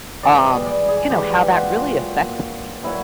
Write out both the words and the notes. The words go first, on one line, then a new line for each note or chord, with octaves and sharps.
um, you know, how that really affects people,
G#2 E3 G3 D5
D#5
D5
G#4
G#2 E3 G3 G4
F#4
F4
A#2 F#3
A#2 F#3 E4